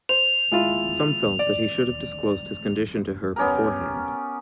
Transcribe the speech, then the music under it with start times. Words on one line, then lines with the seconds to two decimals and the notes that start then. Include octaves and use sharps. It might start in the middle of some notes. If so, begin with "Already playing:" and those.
Some felt that he should have disclosed his condition to her beforehand.
0.09 C5 F7
0.52 G#3 E4 F4
1.39 D5
3.36 B3 C#4 G4 A#4